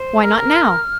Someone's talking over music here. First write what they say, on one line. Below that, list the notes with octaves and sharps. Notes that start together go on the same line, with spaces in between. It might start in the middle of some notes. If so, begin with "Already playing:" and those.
Why not now?
Already playing: C5
A#4 F6